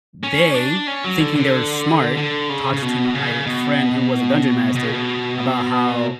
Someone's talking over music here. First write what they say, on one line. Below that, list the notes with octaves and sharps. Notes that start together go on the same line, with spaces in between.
they, thinking they were smart, talks to my friend who was a Dungeon Master about how,
C#4
D4
C#4
F#3
D3
D3
D3
C#3
C#3
B2
C#3
B2
B2
C#3
B2